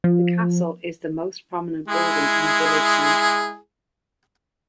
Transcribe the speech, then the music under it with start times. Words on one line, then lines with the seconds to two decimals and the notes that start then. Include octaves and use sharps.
The Castle is the most prominent building at the village centre.
0.04 F3
1.88 G#3 E4 G#4